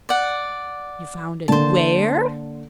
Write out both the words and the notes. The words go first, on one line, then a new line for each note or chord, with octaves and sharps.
"You found it--WHERE?"
D5 F#5
D3 A#3 C5 A5